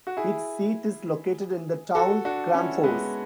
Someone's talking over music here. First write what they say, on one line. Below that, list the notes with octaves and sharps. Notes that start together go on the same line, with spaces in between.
Its seat is located in the town Kramfors.
F#4
E4 G#4
F#4 A4
D4 F#4
C#4 E4
G#3 B3